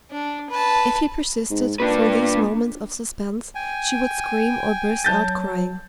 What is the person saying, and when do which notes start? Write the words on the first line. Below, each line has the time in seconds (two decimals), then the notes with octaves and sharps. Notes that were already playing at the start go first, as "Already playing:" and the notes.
If he persisted, through these moments of suspense, she would scream or burst out crying.
0.11 D4
0.50 B4 A5
1.50 G#2
1.80 A#2 D4 B4
3.55 G5 G#5
5.04 F#3 A5 G6 A6